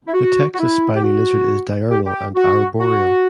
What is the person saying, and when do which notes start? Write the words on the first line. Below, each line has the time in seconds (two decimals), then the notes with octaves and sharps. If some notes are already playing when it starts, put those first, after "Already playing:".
The Texas spiny lizard is diurnal and arboreal.
0.07 E4
0.14 F#4
0.54 F#4
0.58 E4
0.95 G4
1.03 F#4
1.90 G4
2.05 G4
2.35 F#4
2.79 F#4